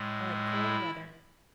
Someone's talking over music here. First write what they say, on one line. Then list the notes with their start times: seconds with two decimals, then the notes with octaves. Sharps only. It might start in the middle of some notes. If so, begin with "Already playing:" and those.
I like cold weather.
Already playing: A2 G#3
0.50 E4